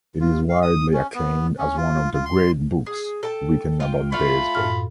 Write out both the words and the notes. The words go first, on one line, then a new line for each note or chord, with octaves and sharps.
It is widely acclaimed as one of the great books written about baseball.
F4
F5
D#6
C#4
B3
C#4
F4
F4
C6
G#4
A4 G5 A5
F4 G5
A3 F4 F5 B5
F#2 A2 F6